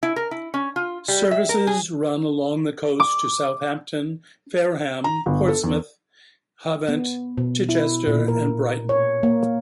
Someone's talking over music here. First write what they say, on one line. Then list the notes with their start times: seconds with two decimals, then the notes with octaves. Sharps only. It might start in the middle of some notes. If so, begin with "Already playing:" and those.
Services run along the coast to Southampton, Fareham, Portsmouth, Havant, Chichester and Brighton.
0.03 E4
0.16 A#4
0.31 E4
0.54 C#4
0.76 F4
1.08 G3
1.31 E5
1.49 A#4
1.67 G#4
3.00 D6
5.04 A#5
5.26 G1
5.48 A4
5.64 E2
6.89 B3
7.38 B2
7.69 E4
8.08 A#2
8.28 A#4
8.89 C#5
9.23 A#3